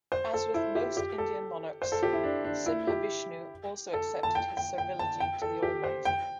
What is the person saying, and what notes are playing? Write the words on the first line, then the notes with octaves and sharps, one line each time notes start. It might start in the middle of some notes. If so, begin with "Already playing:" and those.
As with most Indian monarchs, Simhavishnu also accepted his servility to the Almighty.
C5
A4
E4
G4
G4
A4
C5
A4
G4
E4
D4
D4
E4
G4
A4
A5
G5
G5
G5
A5
G5
A4
G4
C5
G5